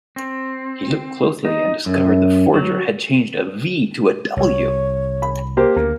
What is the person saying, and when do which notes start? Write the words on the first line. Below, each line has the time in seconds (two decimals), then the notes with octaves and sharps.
He looked closely and discovered the forger had changed a V to a W.
0.16 C4
1.45 D#4
1.86 F#2
2.54 F#3
4.37 C2 C#5
5.22 B5
5.57 A#3 G4 C5
5.76 D2 A#3